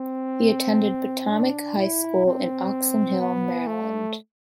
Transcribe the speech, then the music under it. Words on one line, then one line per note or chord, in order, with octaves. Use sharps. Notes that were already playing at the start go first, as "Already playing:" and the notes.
He attended Potomac High School in Oxon Hill, Maryland.
Already playing: C4
D4
E4
C4
B3
A3